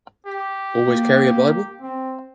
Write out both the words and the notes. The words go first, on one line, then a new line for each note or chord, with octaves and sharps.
Always carry a bible?
G4
A#3
C4